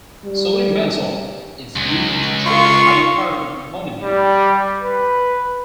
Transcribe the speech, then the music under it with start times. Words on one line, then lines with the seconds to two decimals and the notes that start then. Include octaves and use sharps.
Sodium benzoate is used to treat hyperammonemia.
0.25 G3
1.76 C#2
2.46 F4 C#6
4.01 G3
4.82 B4